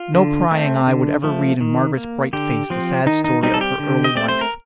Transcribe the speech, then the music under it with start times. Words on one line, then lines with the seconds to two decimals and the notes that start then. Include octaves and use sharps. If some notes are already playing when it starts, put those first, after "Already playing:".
No prying eye would ever read in Margaret's bright face the sad story of her early life.
Already playing: F4
0.14 D3
0.51 A3 C4
0.87 D3
1.24 F3 A3
1.61 D#3
1.97 A#3
2.33 D3 G4
2.70 F3 C4
3.06 D#3 D#4
3.24 D#4
3.43 G3 C4 D#4
3.54 A4
3.61 G4
3.79 D3
4.04 D#5
4.15 A3 C4 D5
4.28 C5
4.41 A#4